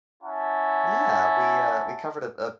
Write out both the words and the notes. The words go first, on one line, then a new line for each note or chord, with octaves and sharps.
Yeah, we, uh, we covered a a,
C#4 E4 F#5 A5